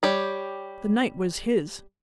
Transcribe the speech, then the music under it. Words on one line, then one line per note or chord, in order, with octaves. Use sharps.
The night was his.
G3 G4 C#5